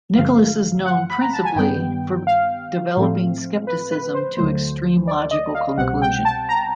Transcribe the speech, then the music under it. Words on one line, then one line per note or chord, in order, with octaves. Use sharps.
Nicholas is known principally for developing skepticism to extreme logical conclusions.
G2 D3 F3 A3 F5
F#5
B5
A#5
A5
G#5
G2 D#3 G3 B3 G5
F5
A2 F3 A3 C4
B4
B4
C5
D2 D3 F#3 A3 C5
D5
D#5
F5
C2 B2 G3 C4 F#5
G5
A5
A#5